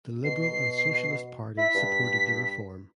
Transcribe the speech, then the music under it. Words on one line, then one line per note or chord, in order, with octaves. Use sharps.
The Liberal and Socialist party supported the reform.
B2 C7
E4 B6
G2